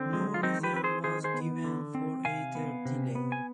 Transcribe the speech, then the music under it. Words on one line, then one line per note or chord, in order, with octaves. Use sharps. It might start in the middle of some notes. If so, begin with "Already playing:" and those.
No reason was given for either delay.
Already playing: D3 C4
G#3
F4
D#3 C4 D#4
G4 B4
C4 B4
G#4 C5
D#3 G#4 C5
G#4 C5
B3
D3
C4
C3 F5 G#5
B3
C3
B3
G#5